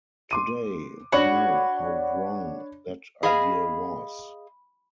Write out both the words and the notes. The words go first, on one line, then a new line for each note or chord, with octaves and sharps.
Today we know how wrong that idea was.
C6 D6 D#7
D4 F#4 C#5 B5
G#4 D#5 F5 B5